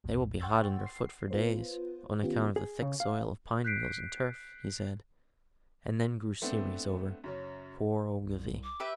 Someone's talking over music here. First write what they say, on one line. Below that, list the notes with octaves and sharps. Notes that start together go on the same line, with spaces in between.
"They will be hot under foot for days, on account of the thick soil of pine needles and turf," he said, and then grew serious over "poor Ogilvy."
A#1 E2 A2
F#5 G5 C6 C#6 E6 A6
C7
B3 F4 B4 C5
D#3 B3 C#4 F4 G4
G#4
C#3
F5
F#6 G6 B6 C7 D7
A3 B3 C4 D4
F#2 C#3 C#4
C2
D6
G4 B4 E5